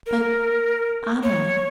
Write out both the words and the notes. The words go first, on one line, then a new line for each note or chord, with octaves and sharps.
"But, Anna..."
A#4
C#5